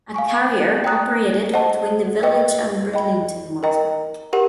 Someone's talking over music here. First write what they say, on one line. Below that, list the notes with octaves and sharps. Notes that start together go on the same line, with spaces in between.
A carrier operated between the village and Bridlington once a week.
F5 G#5 C#6
D5 G5 A#5 D#6 F#6
C5 D#5 F#5 A5
B4 D#5 G5
D#5 G5 B5
A#4 D#5 G5 A#5
G4 A#4 F#5